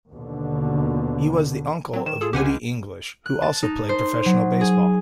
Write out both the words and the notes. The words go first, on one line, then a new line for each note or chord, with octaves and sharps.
He was the uncle of Woody English, who also played professional baseball.
D#2 B2 D3
F#3 C4
D#3 E7
F4 G#4 A4
C#2 G4 F#5 G#5
F#6
A5
D#4
C5
F#3
G#4